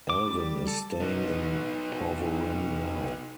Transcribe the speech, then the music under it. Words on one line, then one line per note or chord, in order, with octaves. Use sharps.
Alvyn is staying in Porvorim now.
D6
G3
A4
B3 D#4